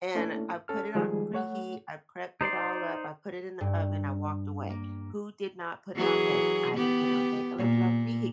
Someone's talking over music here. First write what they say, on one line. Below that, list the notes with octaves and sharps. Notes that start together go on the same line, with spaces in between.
and I put it on preheat, I prepped it all up, I put it in the oven, I walked away. "Who did not put it on bake?" I didn't put it on bake. I left it on preheat.
A3 A#3 C#4 D4 E4 A4
C#4 A4 F6
D#3 F3 G3 G#3 G#4
A3 C#5 F#5
D#4 C5 D5 C6
G2
A#3
E3 F#3 G#4
B3 G4
A#2